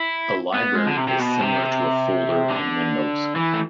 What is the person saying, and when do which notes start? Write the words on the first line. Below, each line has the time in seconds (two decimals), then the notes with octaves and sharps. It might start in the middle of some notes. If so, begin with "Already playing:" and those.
A library is similar to a folder in Windows.
Already playing: E4
0.54 B3
0.75 G#3
0.86 D3
0.97 C3
1.08 C3
1.19 B2
1.41 C3
2.50 D3
3.36 E3
3.53 A3